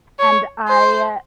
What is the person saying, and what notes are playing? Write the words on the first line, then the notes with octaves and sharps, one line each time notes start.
and I
C#5
C5